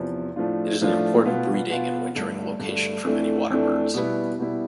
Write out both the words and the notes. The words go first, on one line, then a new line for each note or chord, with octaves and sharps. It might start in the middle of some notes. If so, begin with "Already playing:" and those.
It is an important breeding and wintering location for many waterbirds.
Already playing: E2 C3 F3
A2 F3 A3 D4 F4
A2 F3 A3 D4 F4
B2 B3 F4
B2 B3 F4
G2 D3 A3
G2 D3 A3
F2 E3 A3 D4
F2 E3 A3 D4
B2 G3 B3 E4
B2 G3 B3 E4